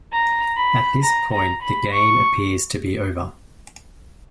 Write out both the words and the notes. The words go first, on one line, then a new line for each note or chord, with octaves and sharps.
At this point, the game appeared to be over.
A#5
B5
A#5
A#5
B5
C#6